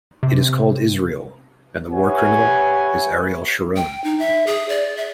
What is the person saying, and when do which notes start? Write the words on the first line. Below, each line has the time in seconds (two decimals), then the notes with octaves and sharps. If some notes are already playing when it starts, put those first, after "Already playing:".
It is called Israel, and the war criminal is Ariel Sharon.
0.23 C3
1.92 G4 B4 C#5 E5 F#5 G#5
3.76 G5
4.04 D#4
4.19 E5
4.47 G#4
4.69 D5
4.97 E5